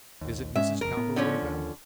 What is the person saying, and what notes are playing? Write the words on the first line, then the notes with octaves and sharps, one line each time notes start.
"Isn't Mrs. Cowperwood about?"
A#1 D#2
G#2 G#3 C#4 E5
F#1 F2 A#4
A2 B3
D3 F3 C#4
D#2